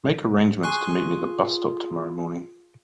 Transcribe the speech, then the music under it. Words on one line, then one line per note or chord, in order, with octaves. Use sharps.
Make arrangements to meet me at the bus stop tomorrow morning.
F4 G#4 G#5 C6 C#6 F#6